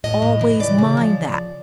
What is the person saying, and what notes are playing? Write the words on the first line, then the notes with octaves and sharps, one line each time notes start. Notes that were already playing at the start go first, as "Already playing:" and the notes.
Always mind that.
A2 D#5
A2
E3
C#3 D5
C#3
F3